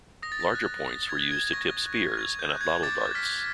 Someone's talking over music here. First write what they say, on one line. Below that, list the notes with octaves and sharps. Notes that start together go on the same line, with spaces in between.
Larger points were used to tip spears and atlatl darts.
D#6 A#6
A6
A#6
F#6
D#6 A#6
G#6
F#6
G#6
C#6 A#6
F#6
C#6 G#6
G6
F#6
G#6
D6 A6
F6 B6